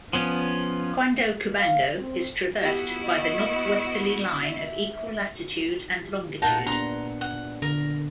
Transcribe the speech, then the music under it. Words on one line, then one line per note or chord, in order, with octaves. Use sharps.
Cuando Cubango is traversed by the northwesterly line of equal latitude and longitude.
F3 B3 C#4
F5
C4
B3 E4 F#4 G4
D#5
E5
A#2 D#4 F4 A#4 F#5 A5
B3 D4 A#5 C6
F#5
D3 A#4